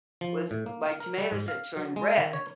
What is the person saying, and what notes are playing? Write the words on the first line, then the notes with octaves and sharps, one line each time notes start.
with my tomatoes that turn red,
F3
A2
A#3
F5
A#4
G3
G#2
F5
F#3
G#3
D#3
C#5